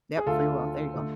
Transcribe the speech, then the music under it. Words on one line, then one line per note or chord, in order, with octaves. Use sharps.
Yep, free will, there you go.
G#4
D2 D3 A3 F4 A4
D3 A3